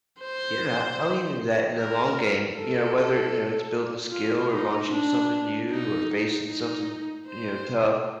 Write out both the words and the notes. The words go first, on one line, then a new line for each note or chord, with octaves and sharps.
Yeah, I lean into that in the long game, you know, whether, you know, it's building a skill, or launching something new, or facing something, you know, tough,
C5
A#4
A4
F4
D#4
D4
D#4
D#4
C5